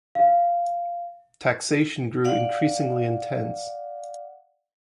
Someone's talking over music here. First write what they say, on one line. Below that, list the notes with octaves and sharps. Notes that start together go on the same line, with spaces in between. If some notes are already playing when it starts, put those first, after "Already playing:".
Taxation grew increasingly intense.
F5
D5 F5 F#5